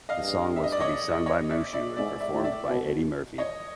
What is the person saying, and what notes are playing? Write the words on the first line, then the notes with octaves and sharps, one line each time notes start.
The song was to be sung by Mushu and performed by Eddie Murphy.
D#5 F5
G2
E5
D#5
D5
C#5 D#5
C#5 D#5
D5 E5
D5 E5
G#2 D5 E5
D5 E5
A2
D5 E5
B2
C#5 D#5